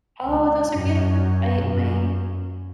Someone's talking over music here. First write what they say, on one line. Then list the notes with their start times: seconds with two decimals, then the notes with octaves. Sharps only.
Oh, those are beautiful. I My
0.22 C#2
0.68 F#2
1.60 F#2